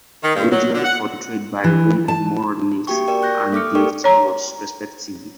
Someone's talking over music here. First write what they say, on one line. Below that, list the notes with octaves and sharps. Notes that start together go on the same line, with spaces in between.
Originally portrayed by Rick Moranis and Dave Thomas, respectively.
D#3
G2
F#3
D3
F#5
E3
A5
A#3 F#4 G4 G5 C#6
A#4 D5 G5
C#6 F#6 G6 A#6
A#3 A4 D6 D#6 F6 C#7
G4 A4 A#4 D5 G5 C#6
C#5 A#5